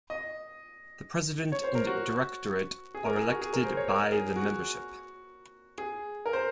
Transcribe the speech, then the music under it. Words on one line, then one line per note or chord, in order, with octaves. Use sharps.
The president and directorate are elected by the membership.
D#5
C#5
C5
A#4
F#4
G#4
A#4
G#4
F#4
G#4
A#4
C5
C#5
A#4
G#4
F#4
G#4
A#4
C5